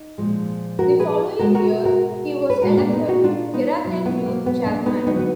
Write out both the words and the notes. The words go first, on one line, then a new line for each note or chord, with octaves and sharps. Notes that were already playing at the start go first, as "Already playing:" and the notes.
The following year, he was elected Gerakan Youth chairman.
Already playing: D#4
A#2 F3 G#3
F#4 A#4
G#4 B4
B2 G#3 F#4 A#4
F#4 A#4
F#4 A#4
B4
A#2 G#3 F#4 A#4
A#3 D4
B3 D#4
D#4 F#4
D4 F4
B3 D#4
B2 F#3
B3
A#3
B3
A#3 D4
B3 D#4
D3 F#3 B3 D#4
B3